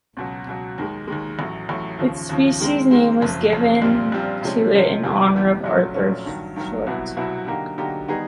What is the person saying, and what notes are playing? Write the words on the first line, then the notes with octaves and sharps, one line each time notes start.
Its species name was given to it in honor of Arthur Schott.
C#2 B2 F#3
C#2 B2 F#3
D#2 D#3 G#3
D#2 D#3 G#3
A1 A2 F#3
A1 A2 F#3
D#2 C#3 F3
D#2 C#3 F3
D#3 G#3 C4
D#3 G#3 C4
F#1 F2 C#3
F#1 F2 C#3
A#1 A#2 G3 C4 F4
A#1 A#2 G3 C4 F4
C3 F3 G#3 C#4
C3 F3 G#3 C#4
F2 C3 E3 G3 B3
F2 C3 E3 G3 B3
A#1 A#2 F#3 A3 C#4
A#1 A#2 F#3 A3 C#4
G2 D#3 F#3
G2 D#3 F#3
C2 B2 F#3 B3 E4
C2 B2 F#3 B3 E4
D3 F#3 A#3 D#4 G4
D3 F#3 A#3 D#4 G4
D#3 G3 B3 D#4 G#4